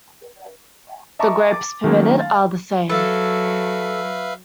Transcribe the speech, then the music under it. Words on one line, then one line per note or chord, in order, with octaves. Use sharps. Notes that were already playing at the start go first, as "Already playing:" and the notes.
The grapes permitted are the same.
D#5 E5 A5 A#5 C#6 D6
D6 A6
D#3 F#3 A3 A#3 C#4 D#4
F5 A6
F#3 A4 B4 E5 F5